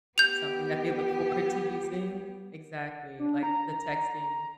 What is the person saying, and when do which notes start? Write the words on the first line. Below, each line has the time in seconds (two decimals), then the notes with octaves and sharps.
something that they look forward to using exactly, like, the texting.
0.18 B3 G4 G6 F7
3.19 D4
3.43 A#5